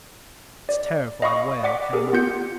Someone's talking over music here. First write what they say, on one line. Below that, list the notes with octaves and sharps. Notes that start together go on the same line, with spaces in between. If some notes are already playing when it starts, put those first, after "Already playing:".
Its terrified wail came up.
D5
D#5 F5 B5 C#6 D#6
D5 F#5 D6 B6
G4 G#4 A#4
B3 F4 G6 C#7